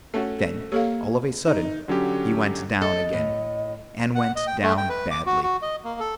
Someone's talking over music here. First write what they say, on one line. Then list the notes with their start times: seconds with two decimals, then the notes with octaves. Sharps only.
Then, all of a sudden, he went down again, and went down badly.
0.14 A3 C#4 F#4 E5
0.39 A4
0.72 A#3 G4 A4 C#5 F5
1.47 D#4
1.88 D3 F#3 C#4 G4
2.81 A4 D#5
3.13 A2
4.15 F#5
4.36 D#5
4.47 G5
4.63 A3
4.77 G5
4.89 B4
5.11 D6
5.26 F#4
5.43 F#4
5.62 D#5
5.84 A#3
6.00 A4